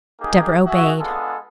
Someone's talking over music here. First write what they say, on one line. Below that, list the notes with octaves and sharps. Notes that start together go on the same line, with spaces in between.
Deborah obeyed.
A#3 D#4 G4 G#4
F#4 G#4 E5
G#3 B3 D4 F4 G#4 A4